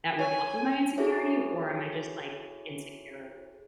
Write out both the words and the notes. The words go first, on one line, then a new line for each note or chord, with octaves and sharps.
that would help with my insecurity, or am I just, like, insecure?
C#5 E5 G#5
E4 F#4 G#4 A4 C#5 E5